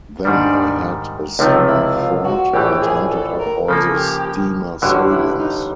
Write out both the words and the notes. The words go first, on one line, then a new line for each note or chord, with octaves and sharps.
Then I had a sudden thought, and hunted up all the steamer sailings.
G#2 D#3 G3 D4
C#2 C3 F3 A3 D#4
E4
F4
F#4
A#1 A2 E3 G4
G#4
A4
A#4
C#3 F3 A#3 A4
G4
A1 G2 D3 F#4
E4
D#4